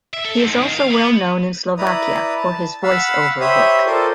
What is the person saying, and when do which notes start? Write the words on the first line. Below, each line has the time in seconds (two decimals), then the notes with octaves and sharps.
He is also well known in Slovakia for his voice-over work.
0.13 E5
0.25 A4
0.37 E2 G#2
0.62 D#3
0.74 F5
0.91 B3
1.78 E4 B4 D5 A#5 D#6
2.37 A5
2.83 F5 F#5 B5 E6
3.40 G4 C5 C#5 E5 B5 D#6
3.86 F4 A4 A#4 C5 D5